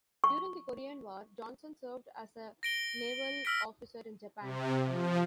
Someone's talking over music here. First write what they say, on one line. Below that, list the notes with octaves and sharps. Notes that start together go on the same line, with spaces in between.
During the Korean War, Johnson served as a naval officer in Japan.
C#6
A#6 D7 G7
E6 F6 B6 D7
C3
F3